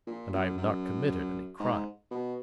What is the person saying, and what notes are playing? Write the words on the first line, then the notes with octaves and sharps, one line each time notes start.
And I have not committed any crime.
A#2
F#2
F#2
G#2
B2